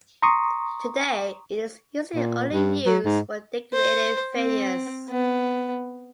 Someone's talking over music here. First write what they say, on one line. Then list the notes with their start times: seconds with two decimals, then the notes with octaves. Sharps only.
Today, it is usually only used for decorative veneers.
0.22 A#5 C6 C#6 D#6
2.15 A#2
2.52 G2
2.86 F#3
3.05 G#2
3.73 C5
4.34 C4
5.09 B3